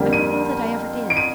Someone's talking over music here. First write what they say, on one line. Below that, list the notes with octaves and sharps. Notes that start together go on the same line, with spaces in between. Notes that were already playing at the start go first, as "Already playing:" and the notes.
"I don't know that I ever did."
Already playing: F2 D3 G3 A#3
D#7
D7
D#7